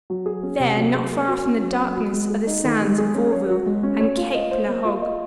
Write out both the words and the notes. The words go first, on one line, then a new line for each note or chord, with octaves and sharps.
There, not far off in the darkness, are the sands of Vauville and Cape la Hogue.
F#3
G#4
C#4
C3
F#3
G#4
A#3
F#4
C#4
F#3
A#3
F#4
G#3
G#4
D#4
D#3
G#3
G#4
C#4
C#5
F#4
G#3
C#4
C#5
F4
D#5
C5
A#3
F4
D#5